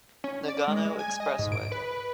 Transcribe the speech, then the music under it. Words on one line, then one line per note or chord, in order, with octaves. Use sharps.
Nagano Expressway.
C#4
D5
G#3
G#3
G#5
D#5
G#2
D7
B4